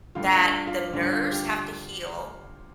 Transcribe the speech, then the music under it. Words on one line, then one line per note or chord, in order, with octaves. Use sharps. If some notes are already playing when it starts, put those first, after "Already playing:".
that the nerves have to heal
D2 D3 G3 F4
F4
D4
F4
D2 D3 G3 D4
F4
G4